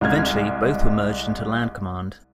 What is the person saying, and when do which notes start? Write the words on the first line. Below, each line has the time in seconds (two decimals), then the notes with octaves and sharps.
Eventually, both were merged into Land Command.
0.01 C2 G#3 F6 G#6